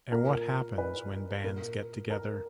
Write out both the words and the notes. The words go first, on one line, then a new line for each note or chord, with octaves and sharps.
And what happens when bands get together?
A#2 A#4
B4
A#2 A#4
A#4